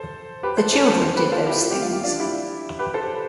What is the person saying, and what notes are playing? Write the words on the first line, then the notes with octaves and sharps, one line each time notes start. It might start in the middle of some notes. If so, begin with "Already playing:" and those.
The children did those things.
Already playing: A4 C5
G4 B4
A4 C5
A4 C5
A4 C5
A4 C5
G4 B4
F4 A4
E4 G4
F4
G4
F4
G4
D4 F4
E4 G4
G4 B4
A4 C5